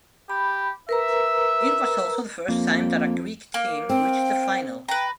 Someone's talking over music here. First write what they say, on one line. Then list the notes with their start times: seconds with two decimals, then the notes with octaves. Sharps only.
It was also the first time that a Greek team reached the final.
0.30 G4 B5
0.89 A#4 B4 E5 A#5
2.49 F2 A#3
3.54 A#3
3.89 C4 G5
4.88 B4 G5 A#5